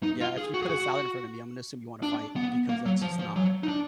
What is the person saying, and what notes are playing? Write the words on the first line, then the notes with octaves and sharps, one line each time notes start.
Yeah. If you put a salad in front of me, I'm gonna assume you wanna fight because that's just not
D#4
F4
G#4
F#4
G#4
F#4
D4
B3
A#3
F#3
F3
F3
F#3
D#4
D4